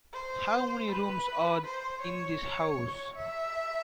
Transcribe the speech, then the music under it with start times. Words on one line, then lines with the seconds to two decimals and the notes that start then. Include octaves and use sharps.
How many rooms are in this house?
0.13 C5
0.89 B4
1.64 C5
2.02 C#5
2.41 C#5
3.16 E5